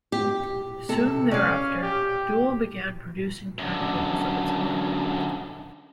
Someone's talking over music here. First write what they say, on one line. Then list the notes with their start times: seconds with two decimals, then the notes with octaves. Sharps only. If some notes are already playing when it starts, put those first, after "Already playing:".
Soon thereafter, Dual began producing turntables of its own.
0.12 G4
0.89 C3 A4
1.31 C#4 D5 F5
1.83 G4
3.59 F#2 D3